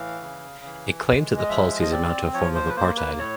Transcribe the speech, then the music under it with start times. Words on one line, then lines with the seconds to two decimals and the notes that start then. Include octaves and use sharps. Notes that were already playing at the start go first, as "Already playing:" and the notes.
It claims that the policies amount to a form of apartheid.
Already playing: A2 E3 F5
0.22 C#3
0.65 E3
1.07 G#3
1.37 D#5
1.49 F3 E5
1.82 D#5
1.91 C4 D5
2.34 F3 C#5
2.55 C5
2.69 B4
2.76 A#3 C5
2.97 B4
3.18 A2 C#5